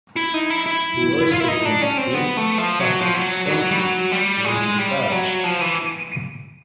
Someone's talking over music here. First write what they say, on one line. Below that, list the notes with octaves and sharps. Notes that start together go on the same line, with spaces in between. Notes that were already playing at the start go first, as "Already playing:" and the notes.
The oyster industry suffered substantially around the bay.
E4
D#4
E4
E4
F4
E4
D#4
D4
C#4
C4
B3
A3
F3
F#3
F3
F#3
F#3
G3
F#3
G3
G#3
G3
F#3
F3
E3